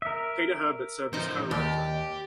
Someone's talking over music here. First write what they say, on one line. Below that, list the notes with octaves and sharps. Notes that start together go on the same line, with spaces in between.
Peter Herbert served as co-writer.
A#4 E5
A2 F3 D#4 C5
D#2 G4 D5